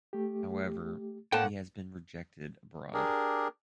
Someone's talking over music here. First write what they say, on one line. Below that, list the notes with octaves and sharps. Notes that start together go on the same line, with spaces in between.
However, he has been rejected abroad.
A3 G4
A2 A#3 F#5 G5 A5
D4 G4 G#4 A#4